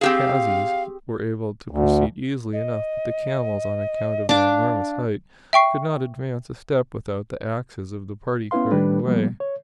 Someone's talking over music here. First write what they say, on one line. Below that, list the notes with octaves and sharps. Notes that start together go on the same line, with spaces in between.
The pagazis were able to proceed easily enough; but the camels, on account of their enormous height, could not advance a step without the axes of the party clearing the way.
C4 G4 G#4 F5
D2
D#5
D4 F5 D6
E5 G5 C#6 C7
B3 C#4 E4 B4 F5 C6
D#3 G3 D4 G4 B4
F3 G3 A#3 B3
C#5